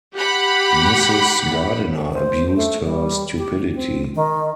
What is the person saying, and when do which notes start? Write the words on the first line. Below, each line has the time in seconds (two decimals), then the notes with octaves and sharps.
Mrs. Gardiner abused her stupidity.
0.15 G4 F#5 B5
2.13 C5
2.56 A3
2.85 G3
3.38 G4
3.74 C4
4.15 D#3